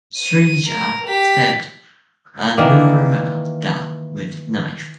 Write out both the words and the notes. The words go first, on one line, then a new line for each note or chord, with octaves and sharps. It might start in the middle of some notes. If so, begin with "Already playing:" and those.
Sreeja stabbed Anuradha with knife.
D#7
A#4
G4 B6
D#3 E3 A#3 D5